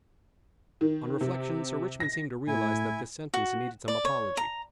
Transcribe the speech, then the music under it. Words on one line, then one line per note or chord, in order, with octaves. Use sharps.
On reflection Sir Richmond seemed to realize that this sentence needed some apology.
D#3
C3
A#6
A2 E4 G#5
F#4
D5
C#5
A#5